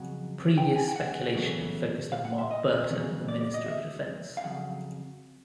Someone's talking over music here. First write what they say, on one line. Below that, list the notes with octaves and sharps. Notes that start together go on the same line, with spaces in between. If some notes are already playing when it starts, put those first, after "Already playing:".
Previous speculation had focused on Mark Burton, the Minister of Defence.
Already playing: F2 C#3 F#3 F#5
G5
G#5
G5
F#5
E2 C#3 F#3 A3
F5
F#5
E5
D#5
E2 C#3 F#3 A#3
D5
D5
D#5
E5
F5
F2 C#3 F#3 F#5